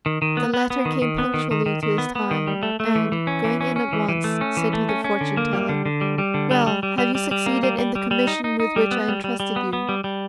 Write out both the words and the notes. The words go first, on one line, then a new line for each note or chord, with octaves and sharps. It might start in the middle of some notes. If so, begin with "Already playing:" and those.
The latter came punctually to his time, and, going in at once, said to the fortune-teller, "Well, have you succeeded in the commission with which I entrusted you?"
D#3
D#3
B3
B3
B3
D#3
D#3
B3
D#3
D#3
D#3
D#3
B3
B3
D#3
G3
A3
A3
E3
E3
C#4
E3
C#4
C#4
E3
E3
A3
C#4
E3
A3
C#4
C#4
D3
A#3
G3
D3
D3
G3
G3
D3
G3
G3
G3
G3
G3
G3
A#3
G3
G3
G3
G3
D#4
D#4
D#4
G3
B3
G3
G3
G3
B3
B3
G3
G3